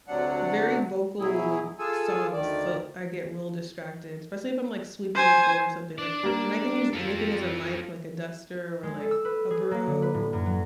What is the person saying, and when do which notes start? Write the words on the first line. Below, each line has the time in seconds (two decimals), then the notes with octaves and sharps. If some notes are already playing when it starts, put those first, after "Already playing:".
very vocal songs, so I get real distracted, especially if I'm, like, sweeping the floor or something, like and I can use anything as a mic, like, a duster or, like, a broom.
0.08 D2 C3 F#3 D4 F#5
1.20 B2 F#3 E4 G#4
1.79 F4 G#4 A4 G#5 E6
2.33 D2 D#3 D5
5.15 C5 G#5
5.98 D4 D5
6.23 G3 A#3
6.93 F4 A4
8.83 G#3
9.00 A4
9.11 E6
9.25 B4
9.50 G#4
9.71 A#3
9.87 D3
10.02 B4
10.14 A2
10.33 F#2
10.46 F#3